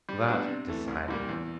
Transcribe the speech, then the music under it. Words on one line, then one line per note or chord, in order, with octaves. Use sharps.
That decided me.
G3
B3 D4 F#4
C3
E3 A3
C2
A#2 G3 A#3
E2